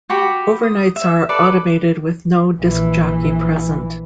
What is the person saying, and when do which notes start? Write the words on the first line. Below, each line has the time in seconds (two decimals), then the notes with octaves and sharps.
Overnights are automated with no disc jockey present.
0.10 F#4 G4 B5
0.63 D#6
0.96 E5
1.29 A4 B4 D5
2.59 A#1 E3